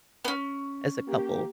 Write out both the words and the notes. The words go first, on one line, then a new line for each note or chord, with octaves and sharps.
as a couple.
B3 C#4
A#3 G4